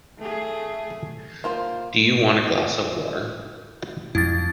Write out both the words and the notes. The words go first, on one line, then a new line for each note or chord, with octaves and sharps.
Do you want a glass of water?
A3 G#4
A#3 F4 C5
F2 E4 A6